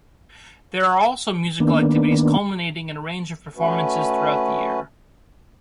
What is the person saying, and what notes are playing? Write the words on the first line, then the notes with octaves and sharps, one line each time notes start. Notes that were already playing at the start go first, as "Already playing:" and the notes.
There are also musical activities culminating in a range of performances throughout the year.
D#3 A#3 B3 D4
A3 C#4 F#4 B4